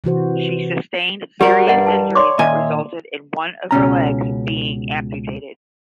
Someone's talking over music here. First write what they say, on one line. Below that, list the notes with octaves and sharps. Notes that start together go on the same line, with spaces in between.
She sustained serious injuries that resulted in one of her legs being amputated.
C3 E3 F#4 C5
G3 F#4 G4 A#4 D5
G2 D5 D#5 F#5
A5
C#5 D5 C6 D6
A#2 D#3 C#4 D#5 E5 G#5
C#2 B2 C#4 A#5